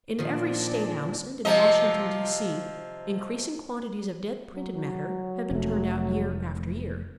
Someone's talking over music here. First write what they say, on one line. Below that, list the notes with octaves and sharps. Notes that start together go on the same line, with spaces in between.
In every state house, and in Washington, D.C., increasing quantities of dead printed matter have been turned out year after year.
A#2 D#3 F3 D4
C3 F3 D#5
F#3
F1 A3